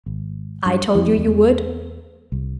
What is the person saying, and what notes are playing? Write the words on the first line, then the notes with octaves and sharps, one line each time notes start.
"I told you you would."
G#1
G2
F2 E3
E2
C2